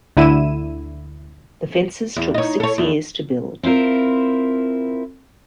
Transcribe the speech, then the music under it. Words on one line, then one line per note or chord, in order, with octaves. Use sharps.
The fences took six years to build.
D2 D3 E4 D#7 E7
E2
D#4 C#5
A4 C#5
E2
C4 E4 F4 A#4